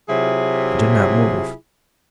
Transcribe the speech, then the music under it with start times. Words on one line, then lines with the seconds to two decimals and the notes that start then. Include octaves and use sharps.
She did not move.
0.08 C3 F#3 E4 F4 G#4